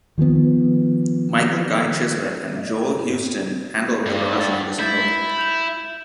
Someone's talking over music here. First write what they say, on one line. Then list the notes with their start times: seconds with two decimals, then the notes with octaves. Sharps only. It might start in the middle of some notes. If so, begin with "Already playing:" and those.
Michael Guy Chislett and Joel Houston handled the production of the single.
0.18 D#3 F3 G#3 B3
4.06 G2
4.36 F#5 A6
4.79 E4 G6 A6
5.38 G6 F7